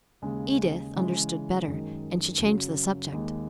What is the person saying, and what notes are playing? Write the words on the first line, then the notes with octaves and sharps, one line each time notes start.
Edith understood better, and she changed the subject.
D#2 C#3 G#3
C#3 E3 G#3 C#4
F#2 D#3 G#3
F#2 C#3 F#3
D#2 D#3 G#3